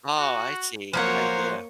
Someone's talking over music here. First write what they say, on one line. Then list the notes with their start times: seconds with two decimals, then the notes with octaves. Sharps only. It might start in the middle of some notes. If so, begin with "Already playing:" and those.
Oh, I see, good idea.
0.19 F#4
0.93 F3 F#3 A#3 C5 C#5 F#5